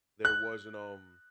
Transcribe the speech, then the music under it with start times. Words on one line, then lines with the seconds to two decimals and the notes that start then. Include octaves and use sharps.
there wasn't, um
0.25 F#6